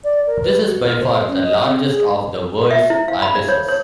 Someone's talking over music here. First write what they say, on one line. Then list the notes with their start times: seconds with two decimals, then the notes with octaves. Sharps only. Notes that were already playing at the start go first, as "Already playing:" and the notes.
This is, by far, the largest of the world's ibises.
0.04 D5
0.26 A#4
0.42 B4
0.65 F#4
0.79 F4
1.00 C5
1.28 C#4
1.43 D#5
1.63 C4
1.92 G#4
2.71 E5
2.90 E4
3.08 F5
3.22 B5
3.35 D5
3.49 C#5
3.69 C#5